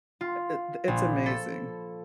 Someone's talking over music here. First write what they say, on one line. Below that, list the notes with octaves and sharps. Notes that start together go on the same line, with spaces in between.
Eh, It Th It's amazing.
F4
A#1
A4